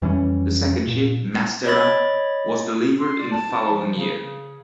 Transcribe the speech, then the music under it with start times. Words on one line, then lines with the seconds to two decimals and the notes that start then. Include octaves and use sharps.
The second ship, "Mastera", was delivered in the following year.
0.02 F2 E3 G3 C#4
0.87 A#2
1.66 C#5 D#5 B5 A6
2.99 C6
3.19 D5
3.32 A5
3.69 F3
3.95 C#3